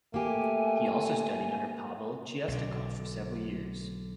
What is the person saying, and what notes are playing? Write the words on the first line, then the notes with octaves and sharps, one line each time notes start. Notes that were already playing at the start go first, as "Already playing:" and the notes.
He also studied under Pavel Chistyakov for several years.
A3 A#3 G4 G#5
B1 D3